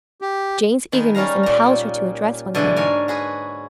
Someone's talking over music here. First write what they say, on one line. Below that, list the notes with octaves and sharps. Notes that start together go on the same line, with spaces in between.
Jane's eagerness impelled her to address one of them.
G4
D#3 G#3 B3
G3 C#4 D#4 F5 A#5
A#2 A#5
B2 D3 E3 G#3 D4 G#4
G#2 D4 A#4 C#5 G#5
F#4 G#4 B4